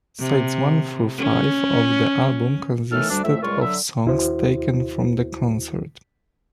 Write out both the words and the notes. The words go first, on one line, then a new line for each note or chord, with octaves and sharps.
Sides one through five of the album consisted of songs taken from the concert.
C3
C#4
A2 D#3 E3 A3 A4 F6
D2 G3 D4
F2 A2 A3 E5
C#2 A#2 G3 G#3 F4 C#6
D3 F#3 E5
D#2 E4 F#4 C5